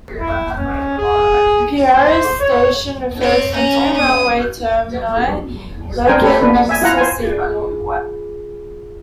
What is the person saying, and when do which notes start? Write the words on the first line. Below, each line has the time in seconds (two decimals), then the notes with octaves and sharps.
Piraeus station refers to the two railway termini located next to the seaport.
0.20 E4
0.57 C#4
0.98 G#4
1.94 C5
2.41 C#5
3.21 C4 C#5
3.54 C#4 A#5
3.97 D#6
6.07 C4 D4 A#4 C5 G5 G#5
6.21 A3 G4 A4 B4
6.42 A#3 B3 D4 B4
6.69 E5 G#5
6.82 E4 F4 F#5 A#5
6.97 C5 G#5
7.24 F4 G#4